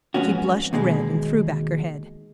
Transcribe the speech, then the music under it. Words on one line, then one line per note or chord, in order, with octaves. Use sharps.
She blushed red and threw back her head.
F2 G#2 B3 C#4 F#4
D#2 B2 G#3